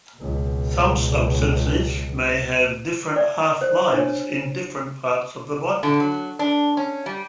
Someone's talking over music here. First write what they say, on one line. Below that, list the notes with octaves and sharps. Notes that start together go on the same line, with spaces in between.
Some substances may have different half-lives in different parts of the body.
C#2 B2
D5 E5
C5
D4 C#5
D3
F#3
D4
C#4
G3